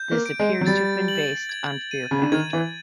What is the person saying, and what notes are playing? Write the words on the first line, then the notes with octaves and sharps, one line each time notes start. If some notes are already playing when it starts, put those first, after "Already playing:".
This appears to have been based on "Fear Factor".
Already playing: G6
A#3
D7
G#3
F#3
G3 A6
F#7
G#6
D#7
C#3
D3
D#3 G#6
E3